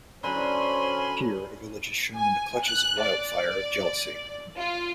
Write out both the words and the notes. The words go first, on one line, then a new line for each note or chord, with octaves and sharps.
Here a village is shown in the clutches of wildfire of jealousy.
D3 F#3 C#4 C5 G#5 B5 C6
G#5
F#6
D5
F4